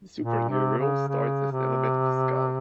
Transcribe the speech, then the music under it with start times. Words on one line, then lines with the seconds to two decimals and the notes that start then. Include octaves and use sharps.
The supraneural starts as an element of the skull.
0.20 A#2
0.49 C3
0.79 C#3
1.07 C#3
1.51 C3